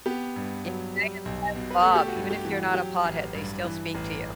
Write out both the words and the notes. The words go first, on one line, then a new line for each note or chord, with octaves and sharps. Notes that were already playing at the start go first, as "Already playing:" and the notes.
Yeah, Jay and Silent Bob. Even if you're not a pothead, they still speak to you.
B3 G4
G2
F#3
G3
B1
B2
B4
A3 A4
G4
F#4
G2
G4
E3
F#4
F#3 G4
A1
G2
E3
A1